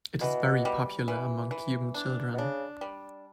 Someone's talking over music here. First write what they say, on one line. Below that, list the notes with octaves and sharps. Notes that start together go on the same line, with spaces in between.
It is very popular among Cuban children.
B2 E3
G3
E3
E3
D4
B2
C#3 D4
G3